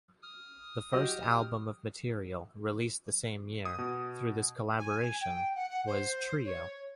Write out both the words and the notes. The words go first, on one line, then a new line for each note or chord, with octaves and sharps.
The first album of material, released the same year, through this collaboration was "Trio".
D#6 F6
F#3 F#4 G4 D#5
D#6
B2
G#5
G5
F#5
F#5
C5
C#5